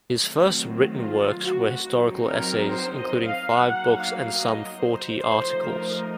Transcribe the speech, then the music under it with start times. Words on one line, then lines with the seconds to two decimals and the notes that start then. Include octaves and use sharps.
His first written works were historical essays, including five books and some forty articles.
0.16 D#3 F#3 A3 C4
0.99 F4
1.41 F#4
1.83 F#3 C4 D#4
2.26 A#4
2.68 C5
2.97 D#5
3.24 F5
3.53 F#3 A#3 D#4 F#5
3.94 F5
4.36 D#5
4.79 C5
5.21 F3 A3 D#4 C5
5.62 A#4